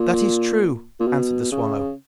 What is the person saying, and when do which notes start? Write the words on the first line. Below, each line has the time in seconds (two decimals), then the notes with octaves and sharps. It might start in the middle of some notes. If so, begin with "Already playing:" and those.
'That is true,' answered the swallow.
Already playing: A#2
1.00 A#2
1.07 B2
1.52 C#3